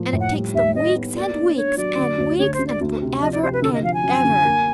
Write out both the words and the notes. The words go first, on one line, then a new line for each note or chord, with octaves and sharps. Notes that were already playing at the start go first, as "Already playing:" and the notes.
And it takes them weeks and weeks and weeks, and for ever and ever.
Already playing: A2 F3 A#3
A2
F#5
G3
D#2 E5
D#2 D#5
B3
A#3 D5
D4
D4 C#5
F#3 D5
D3
D2
D3 C#5
C5
D3
D5
D2
C3
F3 D#5
D5
C3 C5
B4
D3 A4
D#5
F3 F5
G#5
F#2
D3
A#3